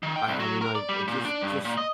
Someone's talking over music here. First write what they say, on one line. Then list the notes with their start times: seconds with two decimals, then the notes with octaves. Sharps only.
I I mean, I I just just
0.03 D#3
0.16 G5
0.27 C2
0.40 F#3
0.62 A#4
0.75 D5
0.89 G3
1.08 A#2
1.25 D4
1.41 G2
1.65 A#2
1.77 D#5